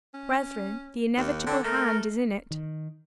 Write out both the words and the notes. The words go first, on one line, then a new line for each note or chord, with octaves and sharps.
Brethren, the inevitable hand is in it.
C#4
D#2
D3 C4 D4
A3 A#4
D#3